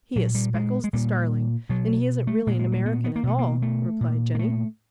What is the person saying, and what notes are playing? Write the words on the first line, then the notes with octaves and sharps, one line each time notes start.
"He is Speckles the Starling, and he isn't really an American at all," replied Jenny.
A#2 F#3
G3
G#3
G#3
A#2 G3
B2 F#3
A3
A#2 G#3
G#3
G3
B3
B3
A#3
B2 A3
A#3
A3
A#2
A#3
A3